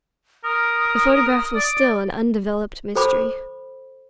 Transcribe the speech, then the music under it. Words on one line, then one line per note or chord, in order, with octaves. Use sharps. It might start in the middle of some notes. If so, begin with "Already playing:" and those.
The photograph was still an undeveloped mystery.
A#4 D#6
D5
A4 C5 B5 D6